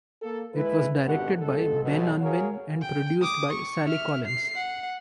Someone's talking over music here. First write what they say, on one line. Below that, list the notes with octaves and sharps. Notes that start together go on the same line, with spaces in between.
It was directed by Ben Unwin and produced by Sally Collins.
A#3 A4
G#3 E4 B4
G#1 C#2 B2 D3 G4 F#5
G1 F2 G#3 A4
B1 B2
F#4 G#4 A#4 C#5 F5 F#5
G5
D6 D#6
C#6
E5 F6
C7
F#5